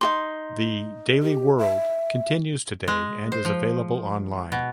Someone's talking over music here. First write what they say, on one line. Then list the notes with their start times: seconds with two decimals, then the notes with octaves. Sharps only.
The "Daily World" continues today and is available online.
0.01 D#4 F#4 C6
1.22 G4
1.58 E5
2.88 G#3
3.32 C5
3.45 F3
4.52 B2